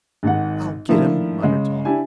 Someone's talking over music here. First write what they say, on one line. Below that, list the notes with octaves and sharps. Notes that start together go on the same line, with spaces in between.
"I'll get him!" muttered Tom.
G#1 G#2 F#5
D#3 F3 A3 A#3 D4 E4
C#3 G#3
D4 E4 G4 G#5